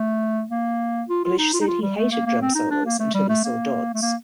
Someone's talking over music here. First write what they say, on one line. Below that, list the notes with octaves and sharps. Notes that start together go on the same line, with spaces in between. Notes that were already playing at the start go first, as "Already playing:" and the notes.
Blesh said he hated drum solos until he saw Dodds.
Already playing: A3
A#3
F4
F4
D#4
F4
D#4
F4
G3
A3
A#3
A#3
C4
D#4
D4
A#3
A3
G3
A3
A#3
A3
A#3